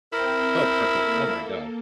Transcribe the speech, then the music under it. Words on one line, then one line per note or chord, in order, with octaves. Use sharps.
Oh, perfect. Oh my god.
C4 E4 A#4 C5 G5
A#3 A4